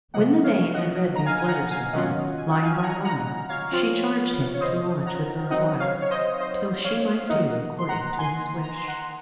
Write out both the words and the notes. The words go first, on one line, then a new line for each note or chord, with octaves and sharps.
When the dame had read these letters with him, line by line, she charged him to lodge with her awhile, till she might do according to his wish.
C3 F3 A#3 D#5 F#5
C#5 F5
D#5 F#5
A#5
F5 G#5
G#5
F#5 A#5
F5 G#5
D#3 F#3 C#4 F4 D#5 F#5
G#5
F#5
F5 G#5
G#5
F#5 A#5
F#5 A#5
C#5 F5
F3 C4 F4
C#5
C5 D#5
F#5 A#5
F#3 C4 D#4 D#5 F#5
C#5 F5
C#5
C5 D#5
C5 D#5
C#5 F5
F5
D#3 A#3 D#4 D#5 F#5
C6
F#5 A#5
G#5 C6
A#5
C6
F#5 A#5